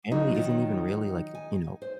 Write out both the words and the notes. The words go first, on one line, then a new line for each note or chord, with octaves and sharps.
family isn't even really like, you know,
F#3 D#4
D#3 F#3 F4
G#5
C5